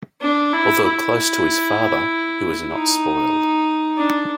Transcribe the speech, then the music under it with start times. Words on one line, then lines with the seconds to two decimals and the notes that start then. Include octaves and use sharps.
Although close with his father, he was not spoiled.
0.21 D4
0.53 E4
0.84 E4
2.72 D#4
3.98 D4